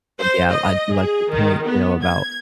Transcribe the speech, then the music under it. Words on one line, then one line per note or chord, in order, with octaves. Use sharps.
And yeah, I do like the point, you know, about,
C5
D#5
G#4
D#3
B3
G#6